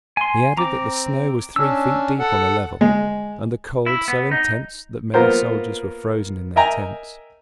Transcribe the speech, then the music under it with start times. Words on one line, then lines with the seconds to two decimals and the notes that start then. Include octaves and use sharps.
He added that the snow was three feet deep on a level, and the cold so intense that many soldiers were frozen in their tents.
0.17 G#5 C6
0.57 C4 A#5 D6
1.56 C#4 D4 E6
2.19 A4 F#5
2.81 G#3
3.86 E4
4.08 B3
4.31 D#4
5.14 A#3 B3 F4 A#4 C5
6.56 A#4 D#5 E5 G5 G#5 A#5